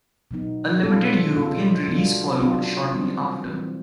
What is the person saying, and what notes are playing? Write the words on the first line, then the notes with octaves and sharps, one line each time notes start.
A limited European release followed shortly after.
B2 F#3 B3 D#4
B2 G#3 C#4 F4 A4
B2 G#3 C#4 F4 A4
F#3 B3 D4 F4
F#3 B3 D4 F4
E3 G3 C4
E3 G3 C4